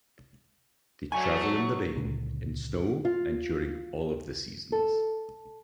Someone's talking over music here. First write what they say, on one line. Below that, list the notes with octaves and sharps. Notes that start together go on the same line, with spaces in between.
They travel in the rain, in snow, and during all of the seasons.
D3 F#3 A3 G#5 C#6
C#2 A#2 D3
F4
A4